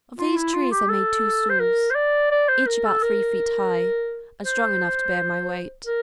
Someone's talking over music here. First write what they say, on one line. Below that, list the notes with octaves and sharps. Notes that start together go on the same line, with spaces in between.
Of these trees I made two stools, each about three feet high, and strong enough to bear my weight.
F4
E4
F4
G4
A4
C5
A#4
C5
D5
D5
C5
A#4
A4
A#4
C5
A#4